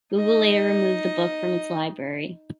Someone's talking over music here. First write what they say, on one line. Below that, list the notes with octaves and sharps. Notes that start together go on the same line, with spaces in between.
Google later removed the book from its library.
D#4 D#5